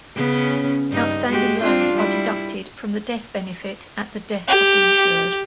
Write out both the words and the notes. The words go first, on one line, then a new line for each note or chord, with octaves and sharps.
Outstanding loans are deducted from the death benefit at the death of the insured.
C#3 B3 C#4
G2 D#4
G#3 F#4 G4
C4 D4 F4
G3 E4
G4